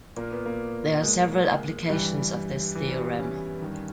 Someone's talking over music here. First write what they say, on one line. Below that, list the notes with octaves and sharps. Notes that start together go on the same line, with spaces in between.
There are several applications of this theorem.
A#2 A#3
B3
A#3
G#3
G2 E3 G3
E3
G3
B3
C#4
G2 D#3